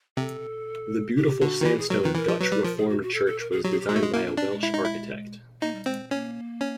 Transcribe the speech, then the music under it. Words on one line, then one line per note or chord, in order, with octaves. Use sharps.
The beautiful sandstone Dutch Reformed church was designed by a Welsh architect.
C3 A4
G4
D3 F#4
D#3
E3 G4
G#4
F#3 A#4
D#3 B4
E3 A#4
F3
F#3 B4
G3
F3 A#4
G#4
F#4
F#4
A4
A4
A#4
G#4
F#3 G4
G#4
G4
G#3 F#4
A3
G#3
A#3 E4
D4
C#4 D4
G#3
E4
D#4
E4
A#3 D#4
G3
G#3 C4
A#3 C#4
C#4